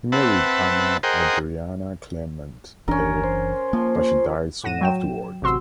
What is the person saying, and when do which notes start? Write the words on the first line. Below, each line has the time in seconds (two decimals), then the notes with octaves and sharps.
He married Anna Adriana Clement there, but she died soon afterward.
0.12 C4 B4 E5 F#5 A5
1.03 G#4 A#4 C5 D#5 F#5 G5
2.88 F#1 E3 C#4 D4 A#4
3.24 C5
3.73 F3 A#3
4.64 A2 F#5 A#6 D#7 E7
4.81 F#3 G5 E7
5.42 A1 C3 F#4 C6 E6